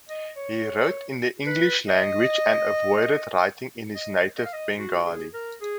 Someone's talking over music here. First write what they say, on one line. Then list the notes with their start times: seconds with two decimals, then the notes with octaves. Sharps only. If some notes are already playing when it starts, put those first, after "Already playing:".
He wrote in the English language and avoided writing in his native Bengali.
0.09 D#5
0.36 C#5
1.46 B4
1.88 D#5
3.95 D#5
4.38 D#5
4.45 F5
4.53 D#5
4.79 F#4
5.06 G#4
5.34 A#4
5.61 G#4